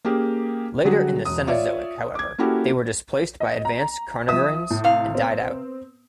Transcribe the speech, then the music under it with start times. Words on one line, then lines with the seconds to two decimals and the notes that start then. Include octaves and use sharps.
Later in the Cenozoic, however, they were displaced by advanced carnivorans and died out.
0.05 A#3 C#4 G4 G#4
0.85 D3 F#3 G3 F#4 G#4
1.25 E1 D#6
1.47 F4 C#5 D5 E5
2.15 D6 G#6
2.38 A#3 C#4 E4 F#4 G4 A4
3.40 D#5
3.65 A#5
4.28 F3 E5 D#6
4.70 A2
4.84 C3 F5
5.14 B3 C4